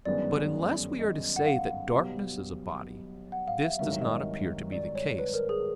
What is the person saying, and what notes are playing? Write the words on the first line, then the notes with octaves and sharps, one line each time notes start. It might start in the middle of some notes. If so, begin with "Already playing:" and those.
But unless we are to say that darkness is a body, this does not appear to be the case.
G1 F#2 D#3 G#3 B3 D5
D#5
F#5
F5
B1 B2 G3 B3
F#5
F5
E5
G#1 G2 D#3 F#3 E5
D#5
D5
C#5
B4
A#4
G#4